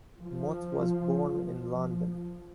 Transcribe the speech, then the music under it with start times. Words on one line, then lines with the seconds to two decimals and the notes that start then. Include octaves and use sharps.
Mote was born in London.
0.20 F3
1.27 F3